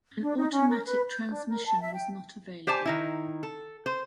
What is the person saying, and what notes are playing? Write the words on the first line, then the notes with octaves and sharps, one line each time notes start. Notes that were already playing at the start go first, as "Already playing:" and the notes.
An automatic transmission was not available.
D4
D#4
C#4
A#4
B4
G6
D4
A#4
A5
E5
G5
G4 C5 D5 G#5 A5
D#3 D#4 E4
A4
C5